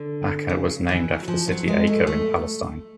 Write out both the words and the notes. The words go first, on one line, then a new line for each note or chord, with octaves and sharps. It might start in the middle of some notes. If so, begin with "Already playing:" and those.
Acca was named after the city Acre in Palestine.
Already playing: D3
C#3
E3
F#3
F3
F#3
G#3
A3
A3